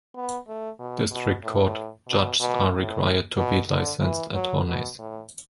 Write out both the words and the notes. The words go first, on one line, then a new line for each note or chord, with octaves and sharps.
District court judges are required to be licensed attorneys.
B3
A3
B2
B2
A2
B2
B2
A2
B2
D3
E3
F#3
B2
A2